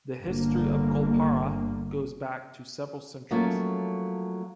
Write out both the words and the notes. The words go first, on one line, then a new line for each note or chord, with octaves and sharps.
The history of Goalpara goes back to several centuries.
G1 D3 A#3
F3 F#3 A3 A#3 C#4 F4